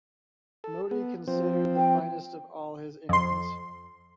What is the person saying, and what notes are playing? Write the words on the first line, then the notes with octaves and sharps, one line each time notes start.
Modi considered the finest of all his innings.
A4
B3
F3 C4
G5
F2 C6